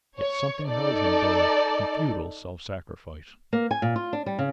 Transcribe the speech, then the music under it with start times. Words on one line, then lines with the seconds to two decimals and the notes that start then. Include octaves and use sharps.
Yet something held him there in futile self-sacrifice.
0.18 C#5
0.69 D#4 A4 D5
3.53 A#3
3.71 G#5
3.82 A#2
3.96 F4
4.13 D4
4.26 G3
4.39 C#3